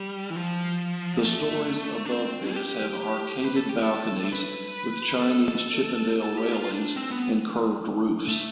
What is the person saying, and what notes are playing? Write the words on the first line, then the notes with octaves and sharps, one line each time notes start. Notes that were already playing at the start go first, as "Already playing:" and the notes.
The storeys above this have arcaded balconies with Chinese Chippendale railings and curved roofs.
Already playing: G3
E3
F3
A3
D4
C4
A4
G4
B4
A4
G4
A4
B4
B4
A4
A4
G4
F4
D4
C4
B3
A3